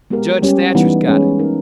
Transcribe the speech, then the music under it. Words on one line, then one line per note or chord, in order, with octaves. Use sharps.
Judge Thatcher's got it.
G#3 B3 G4 A#4
G3 C#4 G4
E3 G3 B3 D#4
G#3 C#4 G#4 B4
A#3 D#4 A#4